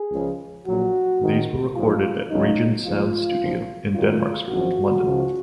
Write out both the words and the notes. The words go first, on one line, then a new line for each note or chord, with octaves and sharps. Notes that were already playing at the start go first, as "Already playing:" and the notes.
These were recorded at Regent Sound studio in Denmark Street, London.
Already playing: G#4
C#2 C#3 F3
A#1 A#2 F#3 F#4
G#1 G#2 D#3
A#1 G#2 F#3 F4
C#2 C#3 F#3 D#4
A#1 G#2 F3 F4
B1 A#2 F3
F#2 D#3 F#3 F4
G#1 F#2 F3 F#4
C#2 C#3 F3